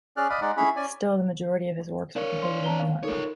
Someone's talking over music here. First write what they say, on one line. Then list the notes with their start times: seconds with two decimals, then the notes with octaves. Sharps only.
Still, the majority of his works were completed in New York.
0.17 C#4 G#4 D5 F6 F#6
0.30 D5 D#5 F5 B5
0.41 G#3 D#4 D5 F#5
0.57 C#4 E4 G#4 C#5 B5
0.76 C#4 D5 G#5
2.16 D4 A#4 C#5 D5 F5
2.42 F5 C6
2.64 A5 A#5 G7
2.79 F5
3.03 D#4 F4 A4 A#4 C#5